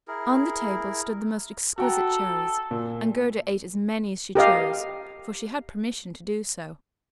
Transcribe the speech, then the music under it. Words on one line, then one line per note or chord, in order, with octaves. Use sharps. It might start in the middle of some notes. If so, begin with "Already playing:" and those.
On the table stood the most exquisite cherries, and Gerda ate as many as she chose, for she had permission to do so.
E4 G#4 A#4
F#4 A4 G5 A#5
A#2
G4 A#4 D#5 F5